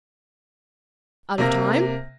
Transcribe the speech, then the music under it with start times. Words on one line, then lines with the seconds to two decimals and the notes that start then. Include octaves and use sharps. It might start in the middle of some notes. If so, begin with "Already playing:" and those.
Out of time?'
1.38 C3 A#3 A#6